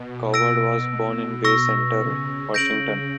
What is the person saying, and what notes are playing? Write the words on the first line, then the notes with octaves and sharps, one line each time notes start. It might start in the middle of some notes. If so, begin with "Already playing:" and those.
Cowherd was born in Bay Center, Washington.
Already playing: B2
B2 E6 A#6 D7
B2
C#6 E6 A#6
C#3
C#3 G6 A#6 D7 F#7